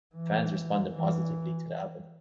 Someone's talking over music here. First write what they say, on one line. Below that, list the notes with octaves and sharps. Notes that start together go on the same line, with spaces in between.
Fans responded positively to the album.
E3
E3